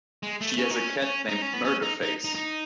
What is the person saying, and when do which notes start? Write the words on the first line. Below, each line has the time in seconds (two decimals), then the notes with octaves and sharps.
She has a cat named Murderface.
0.23 G#3
0.41 A3
0.58 C#4
0.70 D#4
0.76 C#4
1.02 C#4
1.29 D#4
1.42 C#4
1.53 B3
1.65 C#4
1.82 D#4
2.03 D#4
2.24 D#4
2.35 D#4